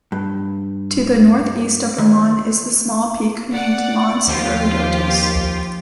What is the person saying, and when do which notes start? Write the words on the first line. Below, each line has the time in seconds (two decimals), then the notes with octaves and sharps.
To the northeast of Raman is the small peak named Mons Herodotus.
0.12 G2
1.98 D#2
3.50 D5 F#5
4.27 D#2 F3 F4 G4